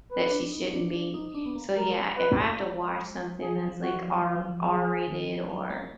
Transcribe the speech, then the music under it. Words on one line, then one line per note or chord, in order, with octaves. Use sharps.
that she shouldn't be. So, yeah, if I have to watch something that's, like, R R-rated or,
B4
D4
D#4
D4
D4
D#4
D4
B3
A#3
G#3 A#4
B4
F3 G#4
F#3
F3
F#3 F#4
F3
F#3
F3 F4
F#3
F3
F#3 G#4
F3
D#3
F3
F#3
A#3